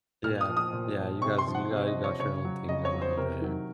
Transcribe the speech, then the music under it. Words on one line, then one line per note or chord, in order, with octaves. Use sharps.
Yeah, yeah, you guys you guys got your own thing going over there.
A#2 F6
D#6
F3
D#6
A#2
F3
C3 C#6
C6
F3
F#5
C3
D#5
F3
C#5
C#3 C#5
F#3
C#3 D#5
C#5
F#3
C5
C3 A#4
D#3 F#3